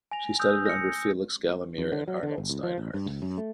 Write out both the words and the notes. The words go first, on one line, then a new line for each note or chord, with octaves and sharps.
She studied under Felix Galimir and Arnold Steinhardt.
G#5 A#6 F7
D#6 E6 F#6 G6
A#6 C#7
F2
D3
F#3
D3
G1
C#2
F3
A1
G2
C#2
F#2
A3